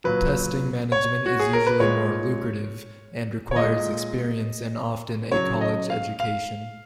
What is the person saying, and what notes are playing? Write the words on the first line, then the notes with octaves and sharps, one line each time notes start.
Testing management is usually more lucrative, and requires experience and often a college education.
A#2 F#3 B4
C#5
F#4
G#4
A#4
B4
A#2 G#3 C#5
C#5
A#2 G#3 D#5
C#3 F#3 C#5
D#5
F5
F5